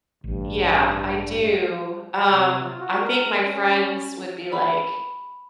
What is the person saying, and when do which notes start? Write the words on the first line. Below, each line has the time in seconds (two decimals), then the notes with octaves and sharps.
Yeah, I do, um, I think my friends would be, like
0.24 A1 G2
2.25 C3
2.63 F4
2.81 F#4
3.01 A#4
3.40 C#4
4.52 B5